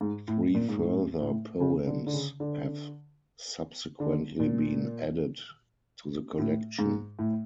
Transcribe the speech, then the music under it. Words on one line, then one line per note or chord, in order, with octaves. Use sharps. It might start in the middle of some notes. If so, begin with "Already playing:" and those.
Three further poems have subsequently been added to the collection.
G#2
A2
A#2
G#2
A2
A2
C#3
D3
D3
C#3
D3
D3
A#2
A2
G#2
A2